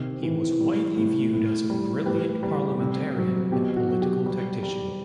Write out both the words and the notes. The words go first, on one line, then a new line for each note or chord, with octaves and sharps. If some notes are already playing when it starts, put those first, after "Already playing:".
He was widely viewed as a brilliant parliamentarian and political tactician.
Already playing: C3 D#3
E3
G3
A2
A2
G3
A2 G4 B4
G3
C3
F#3
B2 G4
F#4
F#3
G4
G3
G3